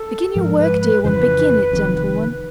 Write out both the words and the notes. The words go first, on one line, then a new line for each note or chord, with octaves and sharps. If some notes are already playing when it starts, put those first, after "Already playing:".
Begin your work, dear one, begin it, gentle one!...
Already playing: A4
G#2 F3 G#3 A#4
B4
B4
F2 C#3 E3 B4 C5
F1 F2 C3 D#3